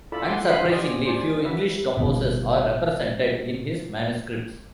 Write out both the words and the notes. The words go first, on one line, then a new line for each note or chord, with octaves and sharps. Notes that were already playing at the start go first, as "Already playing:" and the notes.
Unsurprisingly, few English composers are represented in his manuscripts.
E4 F4 A4 D5 A5 B5
F#5 G#5 C6 D6
C5 D#5 F5 F#5 B5 C6
G4 D5 D#5 G#5 C6 D6
C5 D5 G#5
F#4 B4 E5
G1 D#2 B2